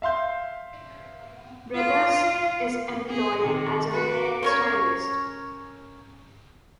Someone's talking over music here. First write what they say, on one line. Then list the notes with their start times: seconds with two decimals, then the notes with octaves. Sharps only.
Brothers is employed as a hair stylist.
0.02 E5 F5 C6 G6
1.75 F4
3.08 G#4
3.41 C3 D#3
3.89 F#4 B4
4.43 C#4 A#4 C#5